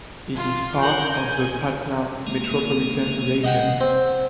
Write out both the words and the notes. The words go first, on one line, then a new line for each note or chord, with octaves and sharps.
It is part of the Patna Metropolitan Region.
F4
A#4 F#5 G6
G#5
G#3 A#3
C3 D#5 F#5 G5
C4 F#5